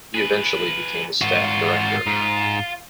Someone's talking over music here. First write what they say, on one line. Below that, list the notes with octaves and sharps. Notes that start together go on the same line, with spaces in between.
He eventually became a staff director.
G#4 B4
G#2 F4 F#4
G#2